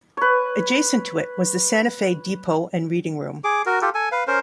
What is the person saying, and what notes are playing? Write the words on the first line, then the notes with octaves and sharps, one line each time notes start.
Adjacent to it was the Santa Fe Depot and Reading Room.
B4 C#5
G#4 D6
F#4 A#4
F4 G4 A4
A4 G#5
B4 F5
C#4 A#4 C5